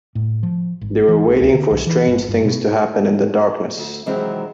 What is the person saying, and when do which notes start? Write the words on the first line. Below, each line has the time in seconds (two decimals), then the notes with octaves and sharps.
They were waiting for strange things to happen in the darkness.
0.15 A2
0.43 F3
0.81 G#1
1.08 E3
1.27 A#1
1.40 C#2
1.54 D3
1.71 B1
1.87 E3
2.07 G1
2.29 G2
2.45 B2
3.78 D2
4.06 C3 D#3 E3 F#3 G#3 C4